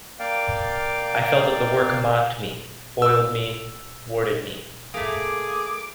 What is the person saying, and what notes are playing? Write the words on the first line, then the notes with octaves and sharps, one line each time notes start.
I felt that the work mocked me, foiled me, thwarted me.
A#3 D5 F5 G5
E6
A3 A#3 G#4 D6